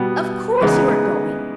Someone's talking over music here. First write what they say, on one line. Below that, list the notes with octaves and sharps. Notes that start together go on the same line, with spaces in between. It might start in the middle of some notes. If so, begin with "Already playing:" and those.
"Of course you are going."
Already playing: B2 G3 B3
C#3 E3 G#3 B3 D#4